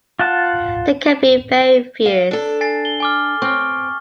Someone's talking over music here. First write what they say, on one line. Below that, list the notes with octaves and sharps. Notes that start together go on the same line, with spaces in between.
They can be very fierce.
F4 F#5 A5
F5
D4 A4
G#5 A6 C7
G7
G#5 D6 F6
C4 C#6 F6